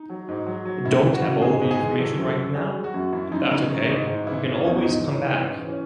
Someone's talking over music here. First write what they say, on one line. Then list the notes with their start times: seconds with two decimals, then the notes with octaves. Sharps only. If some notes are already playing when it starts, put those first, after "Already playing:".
Don't have all the information right now? That's ok; you can always come back.
Already playing: D#4
0.10 F#3
0.29 G#2
0.47 F#3
0.65 F#3
0.84 F#2 E4
1.03 E3
1.13 F#4
1.23 C#3
1.41 G#2 G#4
1.61 G#2
1.71 G#4
1.80 E3
1.98 F#3 A4
2.17 F#2
2.27 A4
2.36 F#2
2.55 F#3 G#4
2.75 F#3
2.84 F#4
2.94 F#2
3.12 F#2 E4
3.32 F#2 D#4
3.50 C#3 D#4
3.69 D#3
3.89 G#2
4.07 G#2
4.27 E3 E4
4.45 E3
4.54 C#4
4.64 E2
4.83 G#2 D#4
5.02 E3
5.11 C#4
5.21 G#2
5.40 E3 C#4
5.59 E3
5.68 C#4